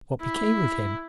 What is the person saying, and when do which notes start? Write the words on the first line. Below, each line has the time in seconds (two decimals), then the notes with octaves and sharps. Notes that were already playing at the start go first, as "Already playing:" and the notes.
What became of him?
0.21 E4